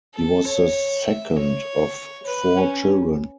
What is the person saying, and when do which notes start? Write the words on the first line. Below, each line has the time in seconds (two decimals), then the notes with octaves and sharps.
He was the second of four children.
0.15 A4
0.46 C#5
1.06 E5
1.36 C#5
2.26 B4
2.57 C#4